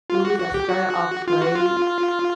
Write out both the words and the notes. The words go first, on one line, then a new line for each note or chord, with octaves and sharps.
movies that started off great.
F4
F#4
F#4
G4
F#4
F4
F#4
F4